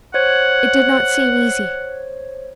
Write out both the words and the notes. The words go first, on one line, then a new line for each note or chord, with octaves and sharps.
It did not seem easy.
C5 C#5 F#5 G#6